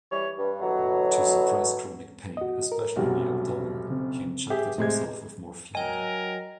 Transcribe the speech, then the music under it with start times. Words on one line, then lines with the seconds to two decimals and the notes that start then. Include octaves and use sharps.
To suppress chronic pain, especially in the abdomen, he injected himself with morphine.
0.11 E3 G3 C#5
0.37 G2
0.61 B2 D3 E3 F#3
2.37 F#4 D#5
2.72 A#4
2.96 F1 B1 G3 F#4 G4
3.90 C#3 C4
4.50 G4 G#4 E5
4.78 A2 C3 G#3 G#6
5.75 F#3 A#4 D#5 G5 G#5